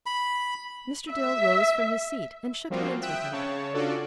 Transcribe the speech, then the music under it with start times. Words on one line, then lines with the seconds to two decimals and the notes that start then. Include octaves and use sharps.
Mr. Dill rose from his seat and shook hands with her.
0.06 B5
1.10 E5
2.70 F3 G3 A#3 C4 F4 F#4
3.02 E5 G5 D#6 E6 F#6
3.32 C#3 C#5 A5
3.73 C#4 D4 F4 F#4 A4 D5